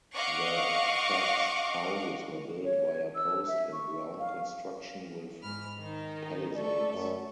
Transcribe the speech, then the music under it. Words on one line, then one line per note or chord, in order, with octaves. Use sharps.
The thatched houses were built via post in ground construction with palisades.
D#5 F5 F#5 C#6 D6
C#5
E6
E5
C#6
F5
G#2 B5 F6
D#3 D#4
A3 A4 D5 C#6
F#2